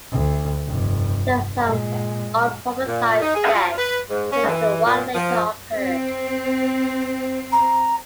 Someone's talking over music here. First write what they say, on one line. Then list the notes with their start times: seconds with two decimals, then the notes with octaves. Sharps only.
There were some unpublicized deaths similar to what later occurred.
0.11 D2
0.67 F1 G2
1.65 A#2 G#3
2.87 A#2
3.21 D#4
3.35 G#4
3.54 F4
3.77 B4
4.10 G#2
4.32 C#4
4.47 E3
4.85 A#2
5.15 F3
5.74 C4
7.52 A#5